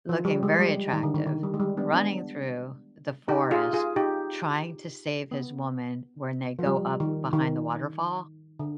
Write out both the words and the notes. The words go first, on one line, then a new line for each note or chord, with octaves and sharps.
looking very attractive, running through the forest, trying to save his woman when they go up behind the waterfall,
F3
G3
G#3
G3
D#3
D3
D#3
D#3
G3
G#3
G3
B3 D4
B3 D4
D#4 G4
F4 G#4
F4 G#4
D#4 G4
B3
F3
G3
D#3
D#3
D3